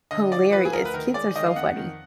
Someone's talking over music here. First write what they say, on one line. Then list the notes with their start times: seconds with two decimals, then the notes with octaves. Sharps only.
Hilarious, kids are so funny.
0.11 D3 D#5
0.32 F3 D5
0.52 F3 B4
0.65 G#4
0.73 D2 A#4
0.85 B4
0.94 D#3 A#4
1.14 G#3 D5
1.36 D#3 D#5
1.46 F5
1.56 F2 F#5
1.76 D#3